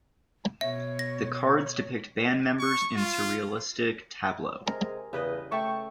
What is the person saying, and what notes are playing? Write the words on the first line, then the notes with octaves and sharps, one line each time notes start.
The cards depict band members in surrealistic tableau.
B2 C#5 E5
A#6
C#6
F4
C3 G#3 G#4 A#4
E2 G2 C#3 B4 D#5
A3 G5 C#6